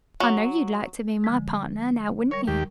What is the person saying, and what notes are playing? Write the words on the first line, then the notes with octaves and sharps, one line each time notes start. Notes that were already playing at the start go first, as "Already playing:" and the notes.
I know you'd like to be my partner, now wouldn't you?
F#3
D3 F3 G#3
G3 A#4 C#5
D#2 G4 C#6